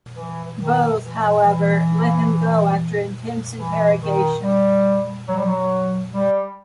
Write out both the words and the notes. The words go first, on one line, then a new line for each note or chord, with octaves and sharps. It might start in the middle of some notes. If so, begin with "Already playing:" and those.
Both, however, let him go after intense interrogation.
E3
D#3
E3
E3
E3
D#3
G3
F#3
G3
F#3
G3